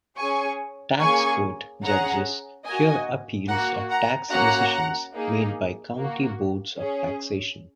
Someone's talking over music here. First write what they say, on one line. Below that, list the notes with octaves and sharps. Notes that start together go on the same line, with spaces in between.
Tax Court judges hear appeals of tax decisions made by County Boards of Taxation.
C#4 G#4 G#5 C#6
A#3 C#4 G#4 G#5 C#6
C#4 G#4 F#5 A#5
A#3 F#4 D#5 G#5
A#3 F#4 F#5 A#5
F#5 A#5
A#3 C#4 F#4 F#5 A#5
A#3 D#4 G#4
A#3 F#4
C#4 G#4